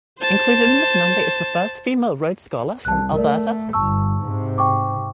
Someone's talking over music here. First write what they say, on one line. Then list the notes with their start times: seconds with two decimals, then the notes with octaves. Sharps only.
Included in this number is the first female Rhodes scholar from Alberta.
0.20 C5 A5
2.85 C2 A5 F#6
3.14 A3 A#4 D5
3.73 G1 A5 C#6 E6
4.20 G#2 C3
4.58 G5 C#6 D6